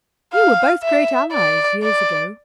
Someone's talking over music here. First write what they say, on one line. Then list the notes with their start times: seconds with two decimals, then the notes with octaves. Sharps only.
You were both great allies, years ago.'
0.34 F5
0.84 E5
1.33 D5
1.83 D5